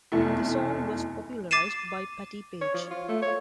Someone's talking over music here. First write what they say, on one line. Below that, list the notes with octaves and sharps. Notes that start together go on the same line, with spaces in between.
The song was popularized by Patti Page.
F1 B1 E2 A3 E4
D6 A6 C7 D#7 E7
C#5
F3
F4
A3
C#5